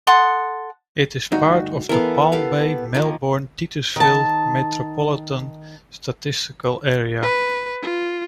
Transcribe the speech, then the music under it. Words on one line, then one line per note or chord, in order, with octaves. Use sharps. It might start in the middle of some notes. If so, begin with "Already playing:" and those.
It is part of the Palm Bay-Melbourne-Titusville Metropolitan Statistical Area.
A4 F#5 C6 D#6
D2 G2 D#4 F#4
E3 B3 A4 A#4 F5
G4 A4 F5
D#3 F3 A#3
D#3 A5
B4
F4